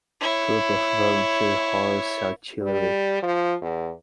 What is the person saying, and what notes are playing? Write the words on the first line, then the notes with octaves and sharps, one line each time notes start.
Troop of Volunteer Horse Artillery.
E4 C#5
G3
F3
E2